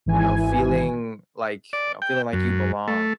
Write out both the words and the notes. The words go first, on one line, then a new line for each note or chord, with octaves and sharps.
you know, feeling like, y know, feeling like you belong,
G#1 E3 G#5
D5
G5
F#2
A3